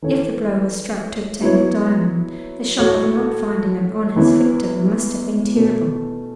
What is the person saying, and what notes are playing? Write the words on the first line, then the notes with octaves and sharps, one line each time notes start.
If the blow was struck to obtain the diamond, the shock of not finding it on his victim must have been terrible.
E3 C#4 A4 C#5
F#3 B3 E4 C#5
A2 A3 F#4 C#5
E2 E3 C#4 E4
B2 A3 C#4